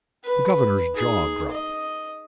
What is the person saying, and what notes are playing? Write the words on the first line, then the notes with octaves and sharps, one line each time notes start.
The governor's jaw dropped.
B4
D#4 G#4
D#5